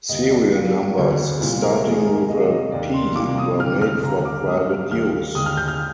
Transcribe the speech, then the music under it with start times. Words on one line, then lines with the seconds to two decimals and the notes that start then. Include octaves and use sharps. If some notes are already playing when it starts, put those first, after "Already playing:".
Serial numbers starting with a P were made for private use.
0.09 D#2 D3 G3 A#3 D#5
0.31 D5
0.53 G#2 F3 A#3
0.97 D2 D3 G#3
1.40 C2 A#2 G3
1.62 A#4
1.84 F2 D#3 G#3 G#4
2.06 A#4
2.28 F2 C3 G3 A#3 D#5
2.50 D#5
2.72 D#2 D#3 A#3 D5
2.94 C6
3.16 C2 C3 F3 A#3 D6
3.38 D#6
3.60 F2 D3 F3 F6
3.82 F6
4.03 D#2 D3 G3 A#5
4.25 D6
4.47 G#2 G3 A#3 D#6
4.69 F6
4.91 D#2 D#3 G3 A#3 F6
5.35 D#2 D3 G#3 D#6
5.46 F6
5.57 G6
5.68 F6